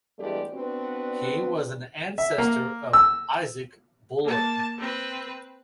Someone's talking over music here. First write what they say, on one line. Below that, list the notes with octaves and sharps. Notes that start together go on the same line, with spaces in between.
He was an ancestor of Isaac Bullard.
E2 G2 G#3 A3 G4 D5
B3 C4 D4 F#4 B4
E5
A#3
E6
A#3 A5
C4 B4